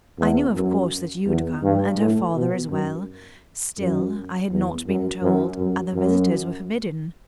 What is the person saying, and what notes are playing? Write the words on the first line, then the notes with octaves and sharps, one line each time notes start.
I knew of course that you'd come, and her father as well; still, I had not been told other visitors were forbidden.
E2
F#2
E2
G2
A2
B2
F#2
F#2
E2
F#2
F#2
F#2
F#2